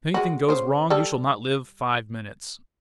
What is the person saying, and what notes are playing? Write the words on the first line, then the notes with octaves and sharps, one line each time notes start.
If anything goes wrong you shall not live five minutes.
G#3 F#4
C#3 C5
G3 A4